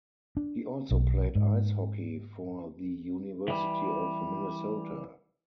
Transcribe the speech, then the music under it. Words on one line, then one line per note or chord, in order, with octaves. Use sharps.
He also played ice hockey for the University of Minnesota.
D4
B1
G#2
E3 G3